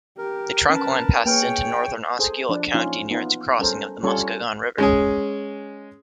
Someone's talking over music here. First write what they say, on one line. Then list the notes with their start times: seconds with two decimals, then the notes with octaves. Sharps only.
The trunkline passes into northern Osceola County near its crossing of the Muskegon River.
0.18 G4 A#4
0.70 C#4 B4 A5
1.26 A#3 G#4 B4 C#5 G5 F6
2.19 G#4 A4 C5
2.49 F3 D4
2.74 F3 A#3 C#4 D#4 F4
3.11 B3 D#4 F4
3.59 G3 C#4 A4 A#4 C5
4.03 G3 C#4 F4 A4 C#5
4.78 G#3 C#4 G#4